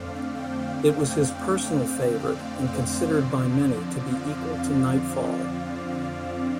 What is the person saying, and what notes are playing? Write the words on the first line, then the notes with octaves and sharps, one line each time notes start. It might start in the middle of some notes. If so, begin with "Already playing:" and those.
It was his personal favorite and considered by many to be equal to "Nightfall".
Already playing: F2 D3 A3 C4 D5 F5
G5
F5
F5
F5
D5
C5
F2 D3 F3 C4 D5
F5
F5
F5